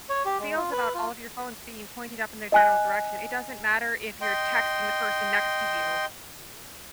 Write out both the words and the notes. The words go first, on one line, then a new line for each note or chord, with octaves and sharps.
feels about all of your phones being pointed up in their general direction. It doesn't matter if you're texting the person next to you.
C#5
G4
G#3
F4
B4
F4
D#5 G#5 F#6
D#5 G5 C6